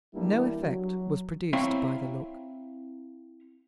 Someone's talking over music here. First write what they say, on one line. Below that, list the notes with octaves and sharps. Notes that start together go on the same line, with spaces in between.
No effect was produced by the look.
E2 G2 G3 A#3 D4 E4
F#3
C4 E4 C#5 E5 F5 A#5